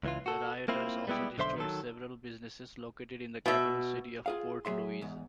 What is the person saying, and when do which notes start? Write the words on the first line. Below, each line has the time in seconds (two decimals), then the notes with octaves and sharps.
The rioters also destroyed several businesses located in the capital city of Port Louis.
0.03 C#2 E3 F4
0.26 F#4 A4
0.68 A#3 C4 E4 F4
1.07 G3 G#3 B3 E4 G4
1.38 B1 D3 C5 E5 C6
1.56 D#3 F#3 A4
3.46 B2 E5
4.26 F4 G#4 F5
4.65 F#3 G#4 E5 C6
5.01 E2 G#2